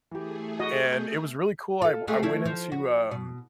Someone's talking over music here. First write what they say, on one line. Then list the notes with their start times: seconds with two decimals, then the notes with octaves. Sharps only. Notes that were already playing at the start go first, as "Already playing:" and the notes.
and, it was really cool, I I went into, um,
0.11 E3 A3 G4 G#4
0.60 F#4 D#5
0.93 G6
1.82 F4 A4
2.08 G#3 A3 G#4
2.23 F3 A3 E4
2.45 F3
2.72 F#4
3.11 B2